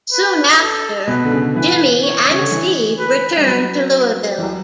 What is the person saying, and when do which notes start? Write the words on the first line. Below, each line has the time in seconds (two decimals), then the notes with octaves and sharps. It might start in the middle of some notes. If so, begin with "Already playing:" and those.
Soon after, Jimmy and Steve returned to Louisville.
0.12 B4
0.61 A4
1.07 B2 B4
1.24 D3
1.31 C#3
1.55 E3 B4
2.04 C#5
2.29 C#3
2.40 D3
2.51 E3
2.99 B4
3.37 G3
3.46 F#3 B4
4.38 E3
4.43 F#3